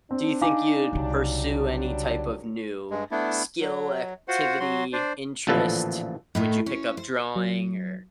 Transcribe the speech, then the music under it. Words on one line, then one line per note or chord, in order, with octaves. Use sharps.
Do you think you'd pursue any type of new skill, activity, interest? Would you pick up drawing, or
C4 D4
D#4 F5 G#5 D6
C2 C#3 F#3 G3 D4
G2 G#3
A3 B3 D4 E4
F#3
F4 F#4 C5 F#5
F#3 F#4 C6
D4 C5 D5
A1 A#2 D3 F3 A4 B4
A2 D#3 A3
C#4
C5
F#3